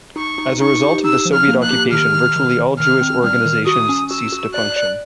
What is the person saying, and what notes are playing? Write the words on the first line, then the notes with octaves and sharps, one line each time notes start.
As a result of the Soviet occupation, virtually all Jewish organizations ceased to function.
D#4 C#6
D#4
D#4 C#6
G4
D#4 E6
F3
F6
A#3
F#6
G4
D#3 F6
D#3
D#3
D#3
D#3 F6
C4
G3 F6
D#3
F#4 D#6
C#4
F#4 E6
F#4
D5 F#6
D5